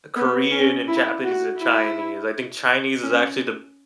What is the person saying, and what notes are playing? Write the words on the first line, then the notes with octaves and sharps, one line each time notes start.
Korean and Japanese and Chinese, I think Chinese is actually the
B3
C#4
E4
F#4
E4
C#4